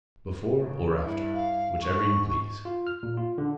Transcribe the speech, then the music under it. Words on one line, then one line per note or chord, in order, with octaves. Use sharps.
"Before or after, whichever you please."
C#3
G2 E4
F5
G#2 C#6
F4
F6
A#2
F4
D3